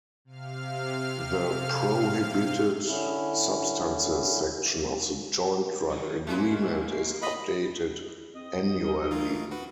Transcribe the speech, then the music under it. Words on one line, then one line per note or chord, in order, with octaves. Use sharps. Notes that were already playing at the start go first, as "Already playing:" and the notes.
The prohibited substances section of the Joint Drug Agreement is updated annually.
C3 F5 F6
D3 C#4 E4
D#3 F#3
G#3 A#3 C#4 E4
F4 D#5 B5
C4 D#5
A#4
E3 A3 F4 A#4
F#4 B4